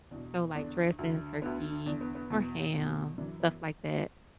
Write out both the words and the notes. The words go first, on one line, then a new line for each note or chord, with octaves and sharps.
So, like, dressing, turkey or ham, stuff like that
E2 B2 D4
E2 D3 D4
D2 D3
D2 D3 B3
E2 D3 D4
B3
B3
E2 B2
E2 B2
F#2 E3 D4
B3